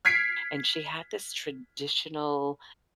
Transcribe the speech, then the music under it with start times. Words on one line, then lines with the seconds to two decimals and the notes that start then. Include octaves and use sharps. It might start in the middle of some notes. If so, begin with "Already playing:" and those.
and she had this traditional,
0.05 F6 G#6 B6 C7 D7